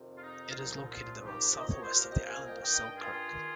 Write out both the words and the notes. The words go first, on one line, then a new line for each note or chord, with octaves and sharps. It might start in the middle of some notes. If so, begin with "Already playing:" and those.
It is located around south-west of the town of Selkirk.
Already playing: F2 C3 D#3
F4
D#4
F4
C2 A#2 F3 D#4
F4
C2 A#2 F3 D#4 G4
D#5
C#5
C5
C2 A#2 F3 G4 A#4
D#5 G5
F5 G#5
D#5 G5
G2 D#3 D#5 G5
F4 G#4
D#3